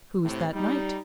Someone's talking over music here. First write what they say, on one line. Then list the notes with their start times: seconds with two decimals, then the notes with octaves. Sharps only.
Who is that knight?
0.24 A2 C3
0.53 G3 D#4